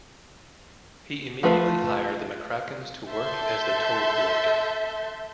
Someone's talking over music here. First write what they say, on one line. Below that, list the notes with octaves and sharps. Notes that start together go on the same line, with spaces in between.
He immediately hired the McCrackens to work as the toll collectors.
F3 A3 F4 B4
A4 E5 A5 C6 G6